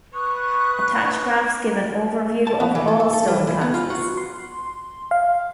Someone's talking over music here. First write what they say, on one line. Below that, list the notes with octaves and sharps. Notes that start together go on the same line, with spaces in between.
Attached graphs give an overview of all stone classes.
B4 C#6 D#6 F#6
A5
B3
E3
A4
A4
A4
G3
E3
B3
F4
F#4
C6
F5